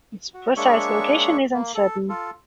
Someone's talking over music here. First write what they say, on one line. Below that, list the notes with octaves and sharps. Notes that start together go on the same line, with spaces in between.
Its precise location is uncertain.
F#4
G#3 A#3 D4 C#5 E5 C#6
A#3
A4
F4 A4